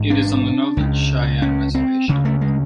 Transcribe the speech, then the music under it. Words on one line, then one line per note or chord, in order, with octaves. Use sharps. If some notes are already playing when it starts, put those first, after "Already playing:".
It is on the Northern Cheyenne reservation.
Already playing: A1 G#2
D4
C#2 C#3
C#4
C4
D2 C#3
A3
G#3